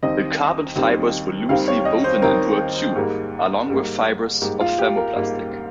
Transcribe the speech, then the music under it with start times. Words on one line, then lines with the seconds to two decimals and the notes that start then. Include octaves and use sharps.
The carbon fibers were loosely woven into a tube along with fibers of thermoplastic.
0.02 D#2 D#3 G3 C4 D#5
0.76 D#2 D#3 G3 C4
1.49 D#2 D#3 G3 C4 F5
1.68 C#5
1.85 D#5
2.04 C5
2.22 D#2 D#3 G3 C4 A#4
2.95 G#2 G3 A#3
3.70 G#2 G3 A#3
4.42 G#2 G3 A#3 G4
4.61 F4
4.78 G4
4.98 A#4
5.15 G#2 G3 A#3